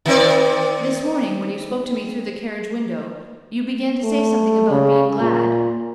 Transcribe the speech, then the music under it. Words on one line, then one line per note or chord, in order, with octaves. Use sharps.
This morning, when you spoke to me through the carriage window, you began to say something about being glad.
D#3 C4 D5
A3
C#3
A#2